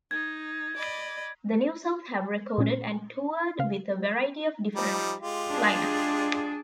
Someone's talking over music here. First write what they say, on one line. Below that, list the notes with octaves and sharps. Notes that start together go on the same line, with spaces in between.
The New South have recorded and toured with a variety of different lineups.
D#4 G#6
D5 D#5 B5
A#2 C#4
C#3 F5
F3 G3 D#4
G#3 F4 G4
D4 G#4